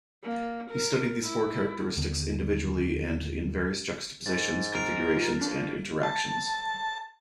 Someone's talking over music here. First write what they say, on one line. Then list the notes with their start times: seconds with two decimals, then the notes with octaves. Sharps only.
He studied these four characteristics individually and in various juxtapositions, configurations, and interactions.
0.23 A#3
0.70 A#4
1.22 E4
1.97 D#2 D3 B3
4.26 G#2 A6
4.75 A#4 F6 C7 D7
5.17 F4
5.41 F2 D4
6.03 A5